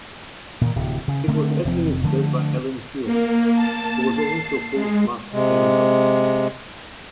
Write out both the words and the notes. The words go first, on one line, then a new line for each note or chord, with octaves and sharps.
It was administered by Alan Hulme, who was also Postmaster-General.
A#2 D#3
D1 C3
C#3
D3 A3 C4
F1 F3 C4
D3 F3 G#3 A3
A#3
A5
C7
G#3
C3 G#3